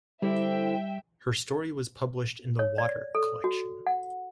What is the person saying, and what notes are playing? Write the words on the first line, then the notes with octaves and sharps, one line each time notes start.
Her story was published in the 'Water' collection.
D3 G3 C4 E4 E5 G5
C#5
D5
A4
F#4
F#5